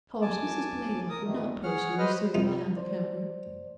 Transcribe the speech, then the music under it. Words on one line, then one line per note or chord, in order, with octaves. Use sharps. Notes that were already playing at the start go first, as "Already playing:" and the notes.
Of course, Mrs. Blaylock would not personally serve behind the counter.
F#2 G#5 A5 D6
A#4 D#6
G2 A#2 D#3 A3
G#4 C#5 F#5 F6
B4 C5 D#5 F6
C2 D#4 F4
C5 D5